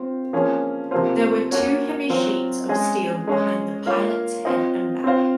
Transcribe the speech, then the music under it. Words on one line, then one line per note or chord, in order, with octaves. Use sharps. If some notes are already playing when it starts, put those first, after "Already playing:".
There were two heavy sheets of steel behind the pilot's head and back.
Already playing: C4 F4 C5
F3 A#3 C#4 F4 G#4
C3 F3 A#3 F4 C5
A#3 C#4 F#4 A#4 C#5
F#3 C4 F4 C5
G#3 C#4 G#4 D#5
G#3 C#4 G#4 D#5
A#3 F4 A#4 C#5 F5
C4 F4 C5 D#5
C4 F4 C5 F5